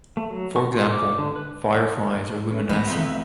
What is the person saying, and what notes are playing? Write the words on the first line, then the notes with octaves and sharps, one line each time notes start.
For example, fireflies are luminescent.
A3
F#3
C#6
F4
D6
D3
B4
A3 C#4 B4
D#3 E3 A3 B3 A#5
F2 D#4 E5 B5